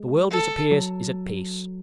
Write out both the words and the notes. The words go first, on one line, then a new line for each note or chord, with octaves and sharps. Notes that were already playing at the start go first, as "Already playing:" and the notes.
The world, it appears, is at peace.
Already playing: G#3
A4
F#3